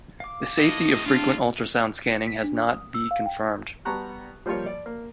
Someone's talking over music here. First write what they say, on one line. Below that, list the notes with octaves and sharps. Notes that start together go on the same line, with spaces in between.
The safety of frequent ultrasound scanning has not be confirmed.
F5 D6
A2 D#5
D4 F4
C#7
B6
D4
D#6
E6
F5
G5
G3 B3 A5 A#5 C#6 F#6
F3 G3 A#3 F4 C#5
D5
A#3